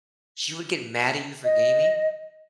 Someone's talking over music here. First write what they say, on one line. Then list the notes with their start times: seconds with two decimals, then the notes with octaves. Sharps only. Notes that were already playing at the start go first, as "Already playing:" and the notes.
She would get mad at you for gaming?
1.44 D#5